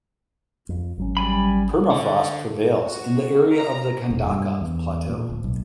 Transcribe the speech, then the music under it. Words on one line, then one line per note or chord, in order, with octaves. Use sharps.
Permafrost prevails in the area of the Kondakov Plateau.
F2
G#1 F#3 C#4
G3 G#5 B5
D3
F#4
A#5
E1
G2
E2
A#2
D1
B1